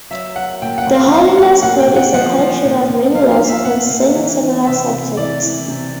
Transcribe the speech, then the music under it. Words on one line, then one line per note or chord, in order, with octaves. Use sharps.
The Holiness Code is a collection of many laws concerning several subjects.
F#3 E5
F#3 F#5
A#2 G5
F#5
A#2
F5
F#3 F5
F#3 F#5
A#2 F#5
G5
A#2
F#5
F3 F#5
F3
A#2
A#2
F3 F5
F5
F3
E5
A#2 F#5
A#2
E3
E3
C3 E5
C3
E3 D5
E3
C3